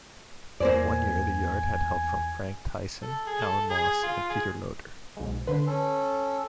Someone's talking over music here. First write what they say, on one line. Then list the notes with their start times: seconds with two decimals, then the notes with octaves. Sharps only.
One year the yard had help from Frank Tyson, Alan Moss, and Peter Loader.
0.60 E2 A#3 C5 D5 G#5
3.03 A4
3.27 G#4
3.41 A4
3.70 G#4
4.03 F4
4.30 G#4
5.17 B1 G#2
5.47 D3 B4 C6
5.66 C#4 A4